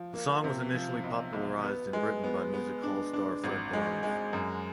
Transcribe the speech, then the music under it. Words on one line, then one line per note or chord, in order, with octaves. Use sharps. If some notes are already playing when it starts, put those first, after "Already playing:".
The song was initially popularised in Britain by music hall star Fred Barnes.
Already playing: F3
A#3
C3
F3
B1
B1
B3
G#3
B3
B3
D4
D4
G#1
G#3
G#3
F#2